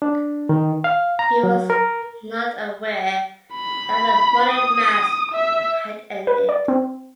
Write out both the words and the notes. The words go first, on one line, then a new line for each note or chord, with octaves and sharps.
He was not aware that the morning Mass had ended.
D4
D#3
F5
A#5
F#3
A#4
B5
D#6
E5
B4
D5
C4